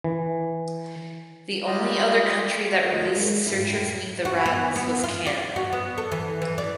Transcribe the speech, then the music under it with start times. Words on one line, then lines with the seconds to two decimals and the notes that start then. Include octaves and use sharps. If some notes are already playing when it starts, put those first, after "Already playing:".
The only other country that released "The Searchers Meet The Rattles" was Canada.
0.04 E3
1.67 G3 G#3 F4 G4 D#5 C6
2.74 F#4 D5
2.92 D#2 A3 F4 D#5
3.15 G#3 A#3
3.46 G#2 C#3 E4
3.69 F#2 A2
4.25 F#4
4.46 B3
4.76 B3
5.03 F4
5.27 D5
5.56 F#4
5.72 B3
5.98 A4
6.12 E3
6.42 E3
6.58 D5